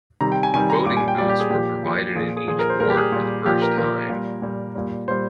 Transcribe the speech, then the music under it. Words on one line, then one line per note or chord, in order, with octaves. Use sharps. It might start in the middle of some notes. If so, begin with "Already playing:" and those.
Voting booths were provided in each ward for the first time.
C3 D#3 G3 A#5
G5
G#5
C3 D#3 G3 G#5
A#5
A#2 G3 D6
G#5
G5
A#2 G3 D5
G4
G#4
A#2 F3 G4
A#2 F3
A#2 F3 G#4
G#4
A#2 F3 G#4
A#4
C5
A#2 G3 A#4
G4
G#4
A#2 G3
A#2 F3 G4
A#4
A#2 F3 A#4
A#2 G3
A#2 G3
A#2 G3
A#2 G3 C5